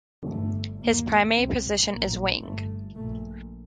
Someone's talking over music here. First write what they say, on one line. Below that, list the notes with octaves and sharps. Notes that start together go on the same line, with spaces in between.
His primary position is wing.
G1 G2 A3
F1 D#2 A#3
C2 C3 C4
A#1 A2 A#3
G1 G2 A3
A#1 A#2 A3